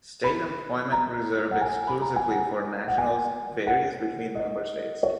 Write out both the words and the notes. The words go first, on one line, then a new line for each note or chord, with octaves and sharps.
State employment reserved exclusively for nationals varies between member states.
B5
A#5
F#5
G#5
B5
A#5
G#5
F#5
F#5
G#5
F#5
D#5
C#5